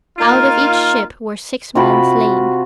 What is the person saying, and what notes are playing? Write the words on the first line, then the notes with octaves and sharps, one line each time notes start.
Out of each ship were six men slain.
A#3 D#4 F4
C3 F4 F#4 B5